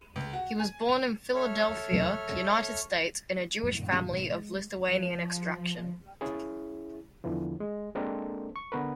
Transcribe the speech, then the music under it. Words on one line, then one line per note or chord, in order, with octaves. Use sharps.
He was born in Philadelphia, United States, in a Jewish family of Lithuanian extraction.
C#2
F#4
G#5
F7
A4 C#5 E5 F6
F2 A2 F#3
G2 A#2 D#3
B1 G#2 B2 D#3
G#3
F3
C#4 E4 G#4
E2 D3 E3 F3
G#3
G#3 A#3 C4 D4 A4 A#4
C#6
D3 B3 A#4 B4